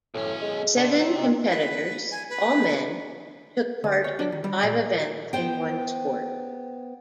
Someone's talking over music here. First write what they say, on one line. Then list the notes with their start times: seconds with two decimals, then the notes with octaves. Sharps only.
Seven competitors, all men, took part in five events in one sport.
0.14 B1 A2 C#4
0.42 G#3
0.77 C3 D4
1.00 F#3
1.16 D#4
1.49 B4
2.11 G#5
2.30 B4
3.84 D2
4.04 C#5
4.19 D4
4.32 D#3
4.44 G3
4.63 A#2
5.33 B3 C5 G5